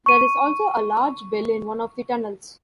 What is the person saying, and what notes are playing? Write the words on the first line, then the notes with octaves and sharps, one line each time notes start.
There is also a large bell in one of the tunnels.
C#6 D#7